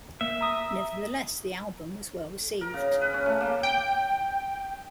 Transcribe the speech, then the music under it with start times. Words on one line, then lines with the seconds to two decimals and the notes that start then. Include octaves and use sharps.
Nevertheless, the album was well received.
0.21 A#3 E5
0.41 A#5 D#6
2.61 A#4
2.74 C#3
3.01 B4
3.14 C#4
3.26 A3
3.40 A#3
3.63 G5